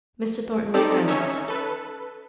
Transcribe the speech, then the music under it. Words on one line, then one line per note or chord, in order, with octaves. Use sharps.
Mr. Thornton was silent.
C4 D#4 G4 A4 D5
C#4 D#4 C#5 E5
A4 B4